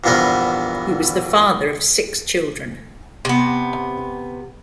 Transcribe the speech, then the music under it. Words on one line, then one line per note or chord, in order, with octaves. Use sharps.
He was the father of six children.
A#1 E2 G2 B3 A#4 C5
C3 B3